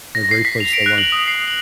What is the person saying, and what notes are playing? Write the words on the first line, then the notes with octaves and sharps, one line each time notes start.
they're a great place to learn.
A#6
C7
B6
F7
D7
F#6
F#7
D#6
C7
F#7